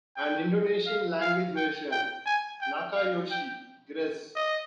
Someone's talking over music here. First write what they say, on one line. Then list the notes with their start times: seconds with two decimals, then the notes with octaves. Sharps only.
An Indonesian language version, Nakayoshi: Gress!
0.16 G5
0.86 F5
1.21 F5
1.56 G5
1.91 G5
2.26 G#5
2.61 G5
2.96 F5
3.31 G5
4.36 D#5